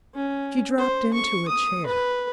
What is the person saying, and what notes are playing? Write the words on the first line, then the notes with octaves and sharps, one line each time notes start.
She dropped into a chair.
C#4
C5
C#6
D#6
B4